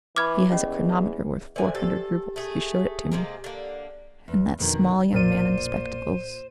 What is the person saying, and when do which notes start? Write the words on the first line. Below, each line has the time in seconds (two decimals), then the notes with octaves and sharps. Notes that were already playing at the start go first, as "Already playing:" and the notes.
"He has a chronometer worth four hundred roubles; he showed it to me." And that small young man in spectacles....
0.16 E3 B5 C#6 D6 F6 G#6
0.50 E2 C#4 G4 D#5
1.56 E3 A4 C5 D5 G#5
1.75 G4 A4
2.36 A3 G#4
3.12 C3 G#3 A#3
3.44 D3 A#3
4.28 E2
4.59 F2 B2 D3 D#3
5.12 B1 F2 A#2 A#3 A#4 C5 D5 D#7